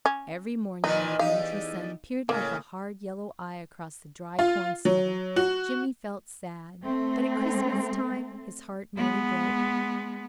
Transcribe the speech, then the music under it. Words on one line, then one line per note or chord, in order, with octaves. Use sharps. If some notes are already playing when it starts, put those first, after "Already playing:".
Every morning, when the wintry sun peered like a hard yellow eye across the dry corn-stubble, Jimmy felt sad, but at Christmas time his heart nearly broke.
C#4
A#2 D#3 D#4 B4
E2 D#4 G4 F5
A2 C#3 A#3
F4
F#3
F#4
A3 C4
G#3 B3